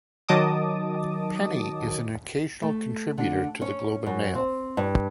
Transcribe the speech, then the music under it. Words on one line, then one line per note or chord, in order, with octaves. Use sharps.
Penny is an occasional contributor to the "Globe and Mail".
D#3 F#3 D#5 A5 D6 D#6
A3
D3
C#4
F#2
C4
G2